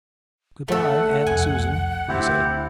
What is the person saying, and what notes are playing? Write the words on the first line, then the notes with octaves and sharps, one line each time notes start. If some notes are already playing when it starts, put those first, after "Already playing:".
"Good-bye, Aunt Susan," he said.
A3 A4 F#5
E1 C2 F2 G#5
D2 C4 E4 G4